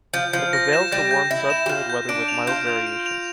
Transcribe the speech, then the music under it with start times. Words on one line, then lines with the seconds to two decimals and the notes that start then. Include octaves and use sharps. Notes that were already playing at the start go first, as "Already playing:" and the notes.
It prevails the warm sub-humid weather with mild variations.
0.14 F3 G6
0.33 F3 G6
0.53 A#6
0.73 E7
0.92 G3 G6
1.11 G6
1.30 E4 A#6
1.50 E7
1.66 G4
1.69 F4 G6
1.90 G6
2.09 D4 D7
2.28 F7
2.47 F4 G6
2.67 G6
2.87 D7
3.06 F7